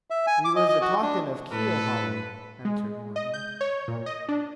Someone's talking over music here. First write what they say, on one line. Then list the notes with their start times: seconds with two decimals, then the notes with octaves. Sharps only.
"We was a-talkin' of keel-hauling," answered Morgan.
0.10 E5
0.27 G#5
0.45 D6
0.56 D#5
0.69 D#5
0.81 F#4
1.02 D4
1.52 A2 A4 B4
2.65 G#3
3.16 D#5
3.34 G6
3.61 C#5
3.88 A#2
4.06 D#5
4.29 D4